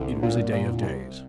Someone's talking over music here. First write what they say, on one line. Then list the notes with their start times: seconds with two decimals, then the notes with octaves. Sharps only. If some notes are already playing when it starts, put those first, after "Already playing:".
It was a day of days.
Already playing: C2 D3
0.23 A#2
0.53 A#2
0.83 C2